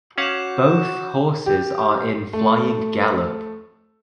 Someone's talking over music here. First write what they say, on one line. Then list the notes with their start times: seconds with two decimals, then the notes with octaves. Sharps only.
Both horses are in flying gallop.
0.18 C#4 F#4 F5 F#5 D6 G6 E7
1.46 G4
2.33 A3